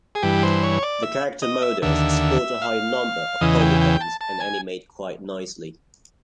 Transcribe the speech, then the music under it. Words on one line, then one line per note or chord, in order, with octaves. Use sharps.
The character models sport a high number of polygons and animate quite nicely.
G#4
G2 E3 G4
C5
C#5
D5
E5
D#5
E5
D#2 D3 E5
F5
E2 C#3 E3 D#5
G5
G5
A5
A5
G#5